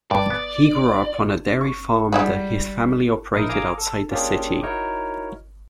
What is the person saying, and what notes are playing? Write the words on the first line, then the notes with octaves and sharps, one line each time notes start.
He grew up on a dairy farm that his family operated outside the city.
G2 D5
B3
C#6
G3 G#3 E4 F#4
A#1 D#4 E4 A#4 D#6
F5 G#5 A#5 D6 D#6
A4
A#3 C#4 D4 F4 G4 G#4
D#4 E4 F#4 A#4 C#5